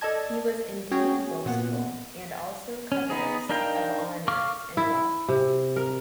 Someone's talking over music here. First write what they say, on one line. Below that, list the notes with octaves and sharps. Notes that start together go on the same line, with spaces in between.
He was indeed boastful, and also covetous of honours and wealth.
A4 D5 D#5 A5 G#6
C#4 F#4 G#4 C#5 G5
A#2 A#3 B3 F#5
C#4
B3 D#4 G#4
D4 D#4 A#4 F5 G5
F5 C#6 D6 F6
E4
C3
A#4